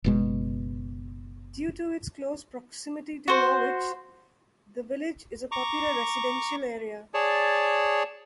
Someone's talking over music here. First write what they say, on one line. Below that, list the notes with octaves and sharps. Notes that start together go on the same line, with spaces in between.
Due to its close proximity to Norwich, the village is a popular residential area.
F#1 B2 G#3
F#4 C5
A#5 C#6 D6
G#4 C#5 D5 A5